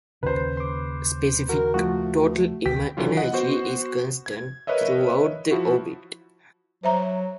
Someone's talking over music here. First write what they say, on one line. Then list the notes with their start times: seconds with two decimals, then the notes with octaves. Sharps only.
Specific total energy is constant throughout the orbit.
0.23 D#2 C#3 B4 C5
0.57 C6 D6
1.49 D#3 F#4 A#4
1.74 F3 A3 F#4
2.66 D2 G5 B6
2.97 D3 E3 F#3 F4
3.17 D#5 F#5
3.33 B3 F#4 C5
4.26 G#6
4.67 A#4 B4 C#5 D#5 E5
5.51 F3 E4 F#4
6.83 F#3 C5 E5 A#5